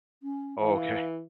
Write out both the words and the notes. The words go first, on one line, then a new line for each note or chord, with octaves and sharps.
Oh, okay.
C#4
E3 F5